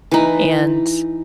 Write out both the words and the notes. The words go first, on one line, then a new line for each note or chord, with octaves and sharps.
and s
E3 D#4